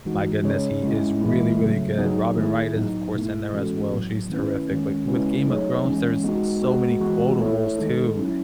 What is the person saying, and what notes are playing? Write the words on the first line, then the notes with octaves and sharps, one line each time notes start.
my goodness, he is really, really good, Robin Wright is of course in there as well, she's terrific, but with Game of Thrones, there is so many quotables too,
E3 G#3 D#4 F#4
C#3 G#3 C#4 G#4 C#5
G#3 C#4 E4
A2 E3 G#3 B3 E4
C#3 F#3 A3
F#3 B3 D#4 G#4
D#3 A3 E4 G#4
A2 F#3 B3 D#4
B2 A3 E4
E3 G#3 C#4 F#4 A4
A2 F#3 B3
D#3 A3 C#4 E4 B4
D#3 G#3 C#4
C#3 G#3 C#4 E4 B4
F#3 A3 D#4 G#4 C#5
E3 G#3 C#4
G#3 B3 D#4 F#4
G#3 B3 F#4
E3 G#3 B3 F#4
A3 E4 A4 C#5
D#3 G#3 D#4 A4
F#3 C#4 E4